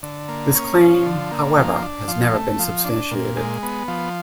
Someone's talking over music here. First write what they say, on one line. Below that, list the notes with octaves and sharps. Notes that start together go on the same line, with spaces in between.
This claim, however, has never been substantiated.
D3
A#3
C#4
F3
D3
A#3
F3
D4
F3
A3
F3
D4
A#2
G#3
B3
F3